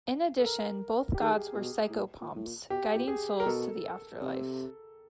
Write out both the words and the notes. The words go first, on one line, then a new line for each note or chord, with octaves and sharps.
In addition, both gods were psychopomps, guiding souls to the afterlife.
A4
A#4
G4
D#3 G#4
A#2
B2
A2
A#2
A#2
A2
A#2
B2 G4
A#2
G#4
A#4
B2 A4
C3